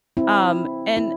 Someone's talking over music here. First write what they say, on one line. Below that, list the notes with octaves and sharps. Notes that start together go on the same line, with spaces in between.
Um, and
C4 E4
E4